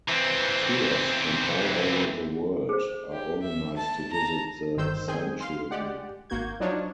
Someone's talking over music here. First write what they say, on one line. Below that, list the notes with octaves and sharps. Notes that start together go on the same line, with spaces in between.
Tours from all over the world are organized to visit the Sanctuary.
E3 C4
G#4 C5
G4
E5
A5
A5 A#5
G1 D#3 C5 E6 G6
D#3 C4 G#4 G#5 G6
F5 C6
G#3 G4 D5 F#5
G#1 A#3 F#4 G6 G#6
F3 F#3 D4 D#4 F4 C#5